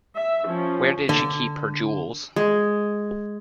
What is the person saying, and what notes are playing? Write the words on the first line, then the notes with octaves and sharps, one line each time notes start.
Where did she keep her jewels!
E5
F3 C#4
D3
G#3